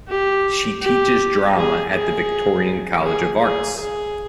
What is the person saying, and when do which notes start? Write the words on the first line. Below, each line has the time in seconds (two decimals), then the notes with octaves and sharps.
She teaches drama at the Victorian College of Arts.
0.09 G4
0.82 G4
1.56 G#4
1.93 G#4
3.04 G#4
3.41 G#4
3.78 G#4